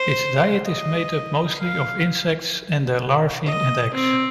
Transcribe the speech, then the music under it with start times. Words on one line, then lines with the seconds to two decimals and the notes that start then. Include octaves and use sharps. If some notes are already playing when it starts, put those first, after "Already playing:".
Its diet is made up mostly of insects and their larvae and eggs.
Already playing: C5
0.66 D#5
1.60 F5
3.46 D#5
3.94 C4